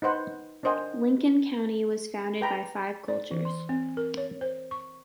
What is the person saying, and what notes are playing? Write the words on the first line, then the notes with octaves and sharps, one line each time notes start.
Lincoln county was founded by five cultures.
D#4 B4 C5 F#5
D4 A#4 C5 D#5 F#5 G#5
B4 G5 A#5 B5
D5
E3
C6
C4
A#4
C#5
C5
C#6